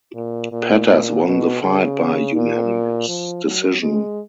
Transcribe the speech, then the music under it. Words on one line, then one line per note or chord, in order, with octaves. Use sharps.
Pettas won the fight by unanimous decision.
A#2
A#2
A#2
B2
C#3
A#2
F3
F#3
G#3